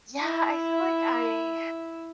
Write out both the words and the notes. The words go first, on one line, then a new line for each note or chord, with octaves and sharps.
Yeah. I feel like I
E4 E5